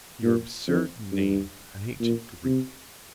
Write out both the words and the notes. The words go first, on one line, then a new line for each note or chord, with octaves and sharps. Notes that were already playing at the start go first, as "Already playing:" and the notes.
Your absurd name, an ancient Greek!
A#2
F2
G2
A#2
C3